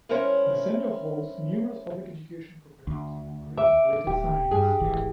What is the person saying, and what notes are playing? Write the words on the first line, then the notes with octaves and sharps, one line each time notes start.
The Centre hosts numerous public education programs in marine related science.
G3 C#4 E4 A#4 C5 C#5
D2
E5 D6
D1 G4
G2 G#4
D1 G#1 E3